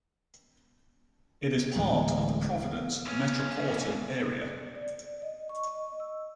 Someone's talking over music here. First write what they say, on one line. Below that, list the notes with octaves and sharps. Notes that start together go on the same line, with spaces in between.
It is a part of the Providence metropolitan area.
D1 E3 G#3
B1 C#4
D5
D#5
C#6
D#5
E6